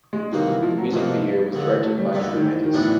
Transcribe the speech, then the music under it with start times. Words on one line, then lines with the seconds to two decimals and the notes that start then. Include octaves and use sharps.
The music video was directed by Tru Makers.
0.13 G#3
0.32 C2 B2 D#3 F#3 A#3
0.48 E3
0.62 F3
0.78 F#3
0.92 C2 B2 F3 F#3 A#3
1.52 D#2 D3 F#3
1.67 E3
1.83 A3
1.98 G3
2.13 D#2 D3 F#3 G3
2.35 D#3
2.43 E3
2.63 D#3
2.73 A2 E3 F#3 B3 D4